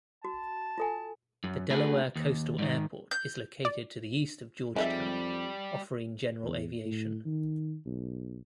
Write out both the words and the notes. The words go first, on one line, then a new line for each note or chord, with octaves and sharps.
The Delaware Coastal Airport is located to the east of Georgetown, offering general aviation.
F#4 A5
F4 A4 G#5
F#2
A3 D4 F#4 G#4 B4
D#2
G#2 D#3
G6
D5
F2 G3 G#3 D#4 E5
E2
A2
D#3
B1